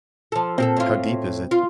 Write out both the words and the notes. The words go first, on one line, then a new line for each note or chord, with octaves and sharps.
"How deep is it?"
F3 A4
A#2 C4 G4 A4
A2 F4
F4